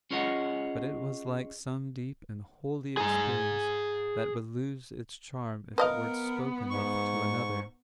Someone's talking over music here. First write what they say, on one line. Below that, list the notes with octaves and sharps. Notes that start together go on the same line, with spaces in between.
But it was like some deep and holy experience that would lose its charm if it were spoken of to another.
C#4 F4 G#4 C#5 D#5 F#5
G#4 A#5
B3 A#4 B4 D#5 F5
G#2 C#6